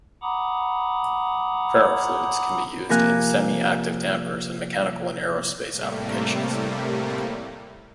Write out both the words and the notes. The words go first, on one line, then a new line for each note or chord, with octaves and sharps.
Ferrofluids can also be used in semi-active dampers in mechanical and aerospace applications.
F#5 A#5 B5 D6 D#6
C3 F3 A#3 A#4 G#5 F#6
A2 C3 G3 A3 A#3